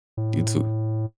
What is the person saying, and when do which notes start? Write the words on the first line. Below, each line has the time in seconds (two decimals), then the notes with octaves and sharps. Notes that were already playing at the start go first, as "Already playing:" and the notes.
You, too.
0.17 A2